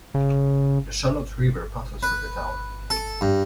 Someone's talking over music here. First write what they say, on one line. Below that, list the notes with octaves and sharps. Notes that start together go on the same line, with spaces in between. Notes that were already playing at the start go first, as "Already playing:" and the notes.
The Shallotte River passes through the town.
C#3
B4
A4
G2